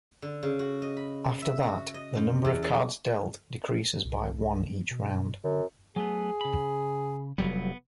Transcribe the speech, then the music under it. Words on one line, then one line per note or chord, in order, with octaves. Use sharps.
After that, the number of cards dealt decreases by one each round.
D3
C#3
F#4
D#5
B5
E5
F#4
D#5
F#2
E2
A4
C2
B2
F#2 D3
F#3 A3 B3 G#4
C#3 B5
F1 F#3 G3 B3